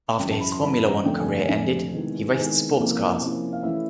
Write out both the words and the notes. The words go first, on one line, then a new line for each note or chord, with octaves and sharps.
After his Formula One career ended, he raced sportscars.
F#2 C#3 E3 G5
A5
B5
C6
F#2 C#3 E3 B5
B5
A#5
F2 D3 F3 A3 D4 G5
G#5
G#5
F2 D3 F3 A3 D4 G#5
C3 D#3 G#3 B3 E4
C3 D#3 G#3 B3 E4 G#5
C3 F3 A#3 C#4 E4
C3 F3 A#3 C#4 E4
F5
E3 A3 C#4 E4 E5